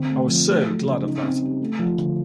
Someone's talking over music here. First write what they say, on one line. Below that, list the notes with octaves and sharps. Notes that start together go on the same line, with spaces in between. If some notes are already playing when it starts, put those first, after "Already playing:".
I was so glad of that.
Already playing: D3 C4
A3
F3
A3
F#3
C#3
D#4
C4
G3
A3
F3
D3